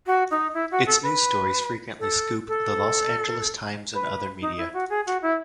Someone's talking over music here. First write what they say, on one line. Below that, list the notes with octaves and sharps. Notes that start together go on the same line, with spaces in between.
Its news stories frequently scoop the "Los Angeles Times" and other media.
F#4
D#4
E4
F#4
A4
B4
A4
A4
B4
D#4
E4
F#4
G#4
F#4
E4